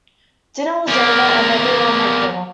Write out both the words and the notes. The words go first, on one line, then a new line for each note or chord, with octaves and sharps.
Dinner was over, and every one had gone.
E2 A#3